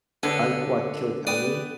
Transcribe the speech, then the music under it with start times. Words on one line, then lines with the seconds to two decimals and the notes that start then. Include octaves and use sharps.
I like to watch Kill Tony,
0.23 D3 B3 C#4 D4 A4
1.27 B3 B4 D5 G5 D#6